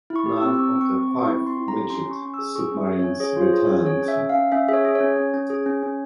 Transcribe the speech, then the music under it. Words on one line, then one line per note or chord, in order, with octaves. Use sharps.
None of the five midget submarines returned.
E4
C#6
G4
E6
C4
E6
C4 C#6
C4
C#6
C4
C#6
C4
E4 C#6
C4 C6
E4
A#5
G4
C#4 C6
C#4
C#6
C#4
E6
G#4
G#4 C#6
C#4
E5
C#4
C#5
C#4
G#4 C#5
F4
C5
G#4
C#5
C#4
G#4 C#5
C#4
E5
C#4
F5
C#4
C#4 E5
G#4 E5
C#5
G#4
C#5
C#4
C#4
C#4
G#4
C#4
C#4